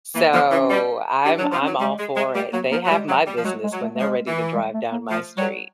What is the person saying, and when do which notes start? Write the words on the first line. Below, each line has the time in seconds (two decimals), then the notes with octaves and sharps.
So I'm I'm all for it. They have my business when they're ready to drive down my street.
0.14 E3 A#3
0.33 F3 B3
0.51 E3 C#4
0.70 G3
1.25 G3 D4
1.38 F#3
1.42 D4
1.52 F3
1.62 C#4
1.66 F#3
1.79 G3 G#3
1.98 G#3
2.16 G#3
2.35 G3 A3
2.52 F#3 A#3
2.71 F3 A#3
2.85 F#3
2.89 G3 G#3
3.08 F#3
3.26 G3
3.37 F3
3.44 F#3 G#3
3.63 G#3
3.72 F#3
3.82 A3
3.95 A3
3.99 F3 G#3
4.27 E3
4.55 G#3
4.74 A3
4.92 A#3
5.09 F3 A3
5.37 F#3 G3